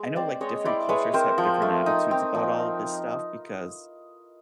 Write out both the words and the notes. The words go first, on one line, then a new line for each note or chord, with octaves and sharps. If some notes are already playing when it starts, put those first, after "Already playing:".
I know, like, different cultures have different attitudes about all of this stuff because,
Already playing: G#3
C4 C5 D5
G#3 C#5 D#5
E4 C5 D5
G#3 B4 C#5
C4 A#4 C5
F3
A3
D#4
C4
F3